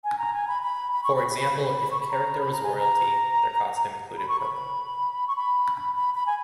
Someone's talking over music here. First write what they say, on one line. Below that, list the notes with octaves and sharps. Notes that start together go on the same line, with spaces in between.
For example, if a character was royalty, their costume included purple.
G#5
A#5
G#5
B5
B5
B5
C#6
B5
B5
C#6
B5
A#5
B5
A#5
G#5
A#5
B5
C#6
B5
C#6
B5
B5
B5
G#5